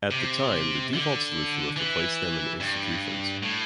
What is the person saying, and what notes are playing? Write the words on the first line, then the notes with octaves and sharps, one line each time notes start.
At the time the default solution was to place them in institutions.
C3
D3
E3
G2
A2